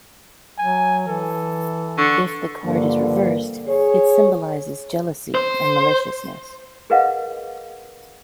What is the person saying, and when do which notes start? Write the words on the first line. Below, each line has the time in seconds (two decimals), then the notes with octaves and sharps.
If the card is reversed, it symbolises jealousy and maliciousness.
0.58 F#3 G#5
1.07 E3 A4
1.98 D3 C#6
2.65 G2 D3 F3 A#3
3.67 G#4 C#5
5.35 C5
6.90 G#4 A#4 B4 D#5 F5 F#5